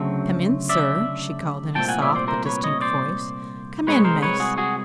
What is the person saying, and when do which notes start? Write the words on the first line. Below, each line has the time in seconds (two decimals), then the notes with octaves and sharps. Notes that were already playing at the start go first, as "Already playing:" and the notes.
"Come in, sir," she called in a soft but distinct voice; "come in, miss."
Already playing: D2 C#3 F#3 A3 C4
0.69 D5 E5
1.75 C2 A#2 A3 C4 G5 A5
1.89 F#5 G#5
2.02 D5 E5
2.15 C5 D5
2.28 A#4 C5
2.46 B4 C#5
2.63 C#5 D#5
2.81 C5 D5
3.87 C2 B2 G#3 C4 B4 C#5
4.04 A#4 C5
4.22 B4 C#5
4.40 F#4 G#4
4.58 F#4 G#4